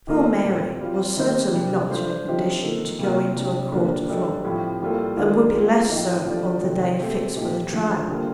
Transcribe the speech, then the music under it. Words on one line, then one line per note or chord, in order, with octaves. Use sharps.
Poor Mary was certainly not in a condition to go into a court of law, and would be less so on the day fixed for the trial.
D#3 A#3 F4 A4 D#5
A#2 A3 C4
G3 C4 F4
D#3 A#3 D#4 G4 C5
C3 G3 D4
A3 D4 F4 C5
D3 F3 C4 D#4 G4
D#3 A#3 F4 A4
C3 G3 A#3 F4 A#4
C3 G3 D4
D3 F3 A#3 D4 G4
G3 D4 A4 D#5
A2 F3 C4 G4
A2 G3 A#3 F4 A4
D#3 A3 D4 F4 A#4
C4 F4 A4
A2 F3 C4 D#4
F3 A3 D4 G4 D5
C3 D#3 A3 C4
A3 C4 G4
A#2 A3 D#4 G4
D3 F3 A3
D3 G3 A#3 F4